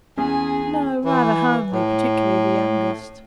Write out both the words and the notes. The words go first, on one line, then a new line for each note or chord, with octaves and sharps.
'No, rather homely, particularly the youngest.'
E2 C#4 G#4 G#5
E3
A2